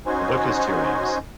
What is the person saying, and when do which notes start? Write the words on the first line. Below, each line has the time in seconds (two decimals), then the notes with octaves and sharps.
The book has two aims.
0.06 C#4 D#4 F#4 C5 G#5